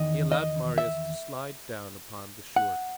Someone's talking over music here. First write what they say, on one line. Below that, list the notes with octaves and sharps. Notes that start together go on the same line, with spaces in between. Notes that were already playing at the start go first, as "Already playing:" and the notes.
He allowed Marius to slide down upon the shore.
Already playing: E2 D#3 D#5
D#5
E5
F#5